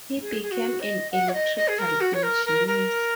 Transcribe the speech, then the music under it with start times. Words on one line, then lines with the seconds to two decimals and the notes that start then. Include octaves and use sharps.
He became an electrical engineer.
0.22 G#4
0.42 G#4
0.51 F#4
0.81 D#5
1.12 F#5
1.29 C#5
1.33 D#5
1.56 D#5
1.68 G#4
1.79 A#4
2.01 F#4
2.14 C#5
2.23 A#4
2.45 A#4
2.67 A#4